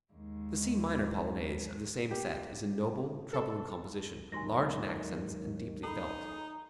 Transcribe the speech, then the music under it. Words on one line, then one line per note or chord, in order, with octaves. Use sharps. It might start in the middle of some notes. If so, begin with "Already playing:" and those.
The C minor Polonaise of the same set is a noble, troubled composition, large in accents and deeply felt.
D#2 G#3
G4
A4
D#2 G#2 F#3 G#5 C6 A#6
D#4 G#4 A4 B5